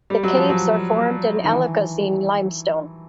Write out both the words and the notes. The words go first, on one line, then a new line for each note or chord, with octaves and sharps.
The caves are formed in Oligocene limestone.
G3
F#3
F3
F#3
D#3
E3